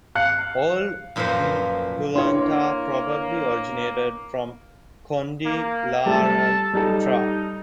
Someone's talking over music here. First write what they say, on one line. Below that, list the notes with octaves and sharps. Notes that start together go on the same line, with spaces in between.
All Ungulata probably originated from Condylarthra.
F5 F#6 C#7
F#2 A#2 F3 B4 C5
A#3 D4 E4 B4 C#5 C6
A#3
G3 A3 A4 A5
G3 D#4 A4